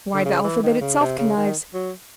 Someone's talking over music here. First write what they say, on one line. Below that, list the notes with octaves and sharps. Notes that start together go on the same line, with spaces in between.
Why, the alphabet itself connives.
D3
C#3
E3
D#3
C#3
C3
C#3
D#3
F#3